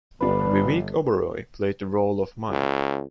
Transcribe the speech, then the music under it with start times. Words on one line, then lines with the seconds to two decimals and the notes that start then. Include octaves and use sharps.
Vivek Oberoi played the role of Maya.
0.21 G1 D4 F4 B4
2.50 C#2